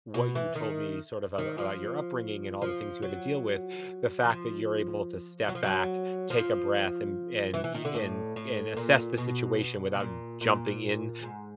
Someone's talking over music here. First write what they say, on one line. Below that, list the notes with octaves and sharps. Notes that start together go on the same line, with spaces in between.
what you told me, sort of, ab about your upbringing, and all the things you had to deal with, the fact that you're able to step back, take a breath, and and e and and assess the situation without jumping in,
B2
E3
D#3
D#3
F3
F3
F#3
F3
F#3
F3
F#3
F3
E3
E3
D#3
D3
A2
A2
A#2
B2
B2
A#2
A#2
G#2